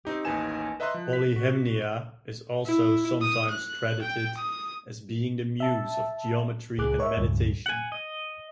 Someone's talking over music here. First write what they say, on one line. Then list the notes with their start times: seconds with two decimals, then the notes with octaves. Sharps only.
Polyhymnia is also sometimes credited as being the Muse of geometry and meditation.
0.05 C4 D#4 G4
0.25 A1 D#2 D#4 B4 G#5 E7
0.80 B4 D#5 E5 A#5 C6 F#6
0.94 F3
1.13 B6
1.36 F#4
2.66 E4
3.21 D#6
3.51 F#6
4.02 G5
4.38 D#6
5.60 E5 A5
6.78 C#2 G#4 D6 F#6
6.99 A#4 C#5 D#5 E5
7.17 C#2 G2
7.66 F#5 G#5
7.92 D#5